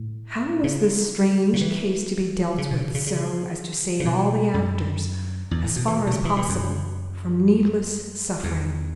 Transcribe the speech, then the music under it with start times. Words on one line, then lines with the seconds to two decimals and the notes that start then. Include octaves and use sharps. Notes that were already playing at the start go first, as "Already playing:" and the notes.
How was this strange case to be dealt with so as to save all the actors, as far as possible, from needless suffering?
Already playing: A2
0.64 C#3
1.53 C#3
1.61 E3
2.58 C#3
2.71 B2
2.94 C#3
3.07 C#3
4.00 C#3
4.05 B2
4.54 F#2
5.51 E2
5.64 A2
5.76 B2
5.87 E3
6.07 B2
6.12 C#3
6.25 E3
6.36 B2
6.49 F#2
8.44 E2